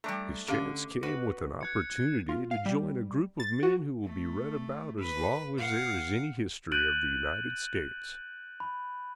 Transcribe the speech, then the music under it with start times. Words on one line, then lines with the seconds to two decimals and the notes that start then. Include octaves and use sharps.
His chance came with an opportunity to join a group of men who will be read about as long as there is any history of the United States.
0.04 G3 A3 D4 A#5
0.48 D3 C#4 G4 F5
1.03 F#4 B4
1.61 F#6 G#6 C#7
2.29 F4
2.51 F5
2.66 G3
3.40 A6
3.63 F#4
4.04 A3
5.01 B4
5.58 F5 F#5
6.72 F#6 G6 A6 D7 D#7 F#7
8.60 B5